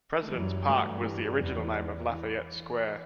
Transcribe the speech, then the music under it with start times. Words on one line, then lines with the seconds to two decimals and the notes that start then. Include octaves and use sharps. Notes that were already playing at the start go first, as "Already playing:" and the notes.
President's Park was the original name of Lafayette Square.
0.22 A3
0.31 F#2 E3 G3
0.67 G2 F#3 A3
1.03 E3 G3
1.40 E2 E3
1.58 E3
2.12 E3